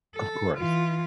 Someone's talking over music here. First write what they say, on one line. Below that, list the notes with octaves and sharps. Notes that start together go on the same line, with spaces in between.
Of course.
A4
E3 F4